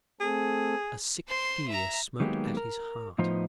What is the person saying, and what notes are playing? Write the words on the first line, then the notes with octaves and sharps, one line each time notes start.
A sick fear smote at his heart.
A3 C4 G#4 A4
C5 C6
E5 A#5
D#3 F#3 G#3 A#3 B3 G4
A#4
A2 F3 B3 D#4 F4 C5